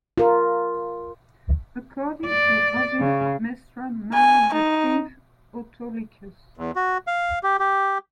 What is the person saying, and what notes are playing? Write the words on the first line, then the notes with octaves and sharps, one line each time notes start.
According to Ovid, Mestra married the thief Autolycus.
F4 A#4
D5
C#3
G#5
D#4
E2
F#4
F5
G4
G4